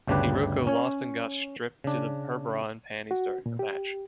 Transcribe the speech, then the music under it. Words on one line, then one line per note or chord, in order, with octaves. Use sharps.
Hiroko lost and got stripped to her bra and panties during the match.
G1 D2 C#3 D4 G4 B4
C#4 C#5
C#3 D4
F#4
A#2
G4